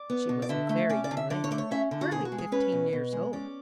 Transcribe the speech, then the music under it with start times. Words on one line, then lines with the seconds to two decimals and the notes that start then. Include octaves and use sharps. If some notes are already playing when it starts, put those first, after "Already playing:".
She was a very young lady, hardly fifteen years old.
Already playing: D5
0.10 B3
0.29 B2
0.42 D5
0.49 D3 E5
0.69 A3
0.89 C#4 D5
1.04 D5
1.11 D3
1.17 E5
1.30 D3 D5
1.44 C#5
1.51 A3 D5
1.58 C#5
1.71 C#4 E5
1.91 D3
2.01 F#4
2.11 B2 G#4
2.25 F#4
2.32 G#3
2.38 G#4
2.52 C#4 B4
2.72 B2
2.93 B2
3.13 G#3
3.33 C#4 D5